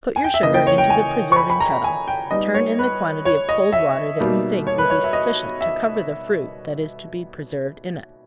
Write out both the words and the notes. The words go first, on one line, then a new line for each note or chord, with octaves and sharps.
Put your sugar into the preserving kettle, turn in the quantity of cold water that you think will be sufficient to cover the fruit that is to be preserved in it.
G#5
G5
E5
C#3 E3 A#3 D#5
G5
C#5
G5
G#5
C#6
B5
B5
A#5
G#5
G5
G3 B3 D#4 D#5
C#5
B4
C#5
D#5
E5
B2 G3 A#3 D#4
C#5
B4
C#5
E5
D#5
E5